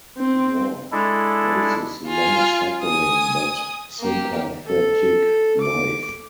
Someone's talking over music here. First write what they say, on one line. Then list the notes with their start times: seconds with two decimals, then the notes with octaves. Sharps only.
Ward plays his long-suffering but sympathetic wife.
0.18 C4
0.92 G#3 D4 E4 A4
2.07 F4 G#5
2.83 G#5 D#6
4.00 A#3 G4
4.66 A4
5.61 D6